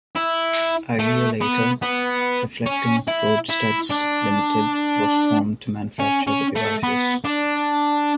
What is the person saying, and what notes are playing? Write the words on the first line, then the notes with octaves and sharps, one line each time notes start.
A year later, Reflecting Roadstuds Limited was formed to manufacture the devices.
E4
A3
B3
B3
C#4
E4
E4
D4
C#4
C#4
A3
B3
D4